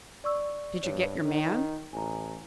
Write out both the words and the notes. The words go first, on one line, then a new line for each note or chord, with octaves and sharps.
"Did you get your man?"
D5 C#6 E6
G2 C#5
D#3
A1 G#5 A#5